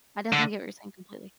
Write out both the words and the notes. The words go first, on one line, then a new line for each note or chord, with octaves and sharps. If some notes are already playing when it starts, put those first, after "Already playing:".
I definitely get what you're saying completely.
D3